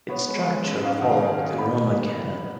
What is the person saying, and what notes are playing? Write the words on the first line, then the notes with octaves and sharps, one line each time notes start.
Its structure follows the Roman Canon.
B3 C#5
G#3
G#3
F#2
G#2 F5
D#3 F#5
F5
C#4
A#3
B3 B5